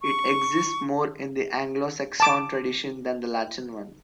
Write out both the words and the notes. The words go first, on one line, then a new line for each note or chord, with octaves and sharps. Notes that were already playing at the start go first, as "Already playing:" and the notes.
It exists more in the Anglo-Saxon tradition than the Latin one.
C#6
A5 D6